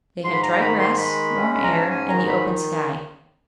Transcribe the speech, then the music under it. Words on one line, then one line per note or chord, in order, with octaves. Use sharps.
They had dry grass, warm air and the open sky.
G#2 C6
B5
A#5
A#5
D#3 B5
C6
G#3 B5
C#4
B5
A#5
G#2 A5
G#5
D#3 A#5
B5